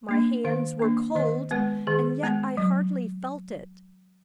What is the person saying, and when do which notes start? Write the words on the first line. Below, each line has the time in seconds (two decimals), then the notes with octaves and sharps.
My hands were cold--and yet I hardly felt it.
0.09 A#3 D4
0.45 D#3 F5
0.79 A#3 D4
1.16 D#3 D#5
1.51 G#3 B3 B4
1.87 D#3 G#4
2.23 G#3 B3
2.57 F#3